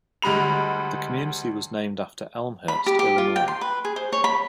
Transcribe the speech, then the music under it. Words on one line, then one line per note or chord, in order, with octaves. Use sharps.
The community was named after Elmhurst, Illinois.
D2 G3 G#3 B5 F7
B5
G4
G4
F4
G5
C6
B4
G#4
C5
C#5
B5